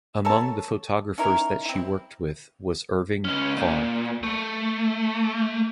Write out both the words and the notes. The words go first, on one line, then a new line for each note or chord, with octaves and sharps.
Among the photographers that she worked with was Irving Klaw.
A4 A#4 C#5 A5
C#4 D#4 E4 A#4
C4 E4
C#2 C#4
A#2
A3